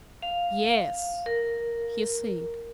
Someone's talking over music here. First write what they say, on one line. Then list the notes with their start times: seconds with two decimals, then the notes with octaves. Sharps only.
"Yes," he said.
0.22 F5
1.26 A#4